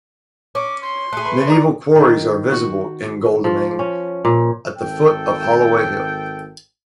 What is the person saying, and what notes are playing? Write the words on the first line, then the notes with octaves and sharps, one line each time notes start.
Medieval quarries are visible in Godalming, at the foot of Holloway Hill.
C#4 D6
C6
A3 G#4 F#6
B4
D5 A#5 D#6
D#3
F#4
F3
C#4
A#2
G#1 A4 G5